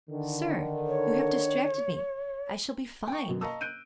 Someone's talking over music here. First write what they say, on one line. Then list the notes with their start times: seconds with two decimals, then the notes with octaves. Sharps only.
"Sir, you have distracted me; I shall be fined."
0.10 D3 D#3
0.87 C#5
3.08 G5 C#6
3.28 F#2 B2 F#3
3.41 D#5 F5 A5 A#5 C#6 E6
3.61 F#6 G6 D7 D#7